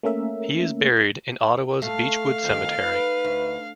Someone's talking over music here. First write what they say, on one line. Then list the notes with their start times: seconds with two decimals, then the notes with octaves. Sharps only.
He is buried in Ottawa's Beechwood Cemetery.
0.03 A3 A#3 C#4 A#4 E5
1.82 A3 F5
2.42 F2 B2 D#3
2.82 D#4 B4
3.24 D2